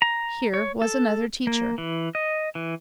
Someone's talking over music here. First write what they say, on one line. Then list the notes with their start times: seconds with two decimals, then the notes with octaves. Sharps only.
Here was another teacher.
0.02 A#5
0.54 C#5
0.82 A4
1.47 A#3
1.78 E3
2.15 D#5
2.55 E3